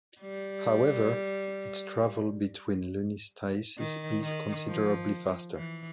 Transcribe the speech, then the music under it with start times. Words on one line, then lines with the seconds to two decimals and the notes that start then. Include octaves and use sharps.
However, its travel between lunistices is considerably faster.
0.21 G3
3.78 D#3
4.23 D#3
4.67 F3
5.56 E3